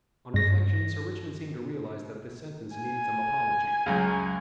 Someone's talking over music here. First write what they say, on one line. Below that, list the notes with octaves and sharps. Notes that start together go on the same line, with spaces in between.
On reflection Sir Richmond seemed to realize that this sentence needed some apology.
G2 A#6
G#5
C#2 F#2